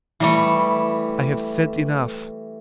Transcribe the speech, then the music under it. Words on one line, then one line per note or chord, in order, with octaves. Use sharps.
I have said enough.
E3 G3 A3